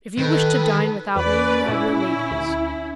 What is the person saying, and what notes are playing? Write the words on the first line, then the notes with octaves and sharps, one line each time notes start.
If you wish to dine without me you have your ladies.
D#3 A4 B4
E2 C#4 B4 D5
A#2 E4
D2